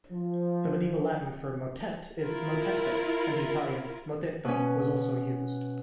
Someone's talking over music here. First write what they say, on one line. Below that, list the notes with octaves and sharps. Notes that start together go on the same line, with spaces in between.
The Medieval Latin for "motet" is "motectum", and the Italian "mottetto" was also used.
F3
E4 F4 A#4
B2 C#4